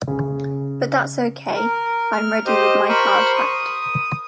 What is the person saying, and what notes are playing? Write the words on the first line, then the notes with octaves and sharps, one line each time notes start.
But that's okay-I'm ready with my hard hat.
C#3
A#4
F6
G4 C5 D#5
A#4 C5 B5 C#6
D#6